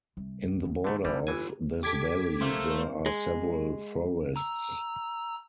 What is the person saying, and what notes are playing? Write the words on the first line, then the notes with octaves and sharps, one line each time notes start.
In the border of this valley there are several forests.
C2
D#3 E4
D3 A3
E3 G3 C#4 D#4
G1 E3 G#5
G4 A4 D6 G#6 B6
A3 A#4 C5 F5
G#3
A#5 E6